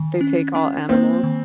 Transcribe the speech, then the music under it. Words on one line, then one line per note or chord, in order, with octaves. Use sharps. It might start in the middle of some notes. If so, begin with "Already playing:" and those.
they take all animals.
Already playing: D#3
C#4
C#4
A#3 C4
D#3